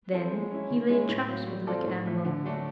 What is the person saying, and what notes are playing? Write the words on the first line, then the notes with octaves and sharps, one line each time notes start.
Then he laid traps for the wicked animal.
C4 E4 A4
G#3
C#4 E4
D#3
G#3 C#4 E4
A2
F#3 A#3
G3
C4 F4 A4 D5
A2
F3 A3
D3
F#3 A3 D4 F#4